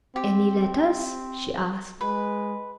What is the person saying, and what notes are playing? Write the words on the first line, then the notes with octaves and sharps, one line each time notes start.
"Any letters?" she asked.
C4 G4
G#3 B4